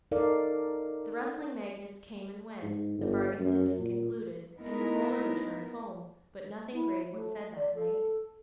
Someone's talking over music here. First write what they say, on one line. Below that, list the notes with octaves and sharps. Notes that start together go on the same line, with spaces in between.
The rustling magnates came and went, the bargains had been concluded, and Romola returned home; but nothing grave was said that night.
D#4 A4 A#4 D5 F5
G#2
G1
F#2
A#2
G#3 A3 B3 D#4 E4 A#4
E4
A3
D5
A4